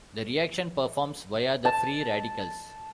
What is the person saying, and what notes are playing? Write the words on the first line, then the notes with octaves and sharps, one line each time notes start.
The reaction performs via the free radicals.
A5